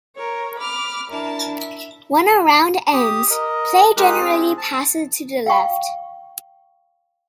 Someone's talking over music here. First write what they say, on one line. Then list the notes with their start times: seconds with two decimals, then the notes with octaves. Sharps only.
When a round ends, play generally passes to the left.
0.15 A#4 C#5
0.57 B5 D6 F6
1.10 D4 E4 A#4 A5
1.57 E5
2.93 G4 D#6
3.30 A#4 D#5
3.97 G#3 D#4 G4 A#4 F#6
4.20 C4 G#4
4.57 A5
5.46 F5 G5 C#6